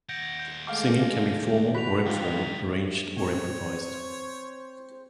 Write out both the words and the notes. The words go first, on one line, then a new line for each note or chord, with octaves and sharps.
Singing can be formal or informal, arranged or improvised.
D#2 F#5 G6 A#6 D7
G6 D7
G#3 A3 F5 D6
F#4 B5 B6 F7
G#2 D3 E3 F3 F4 G4 F5 A#5
C4 C5 C#5